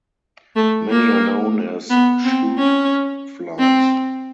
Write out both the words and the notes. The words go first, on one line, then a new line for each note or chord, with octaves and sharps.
Many are known as shoot flies.
A3
A#3
B3
C4
C#4
C4